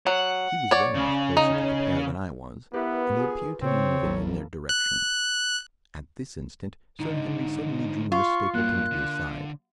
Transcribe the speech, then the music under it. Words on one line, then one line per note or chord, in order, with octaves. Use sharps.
He was very much closer to the pair than I was, and he appeared to be moving in their direction. At this instant Sir Henry suddenly drew Miss Stapleton to his side.
F#3 F#5
C#5 D5
C#3
D#4
B3 E4 G4 A#4 B4
F4 G#4
C#3 C4 C#5
A1 F#3 A#3 E4 A4
F#6
G#2 D3 D#4
F4 C#6
G2 F#3 A#3 F#6
D3